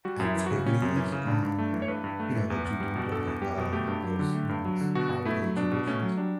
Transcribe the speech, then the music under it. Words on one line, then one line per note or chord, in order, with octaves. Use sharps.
activities, um, you know, that you do during, uh, any of those, you know, holiday traditions?
G3 F#4
F#2
E4
E3
C#3 F#4
G3 C#4
F#2
E3 C#4
C#3
G2 D4
G2
A3
E3
C#5
G2 B4
G2
A3
E3
E2
E2
G3
B2
E2 A4
E2
G3 G4
B2
A3 G4
G2
F#3
D3
A3
G2
F#3
D3
B2 F#4
B2
A3 E4
F#3
B2 D4
B2
A3 C#4
F#3
G3 D4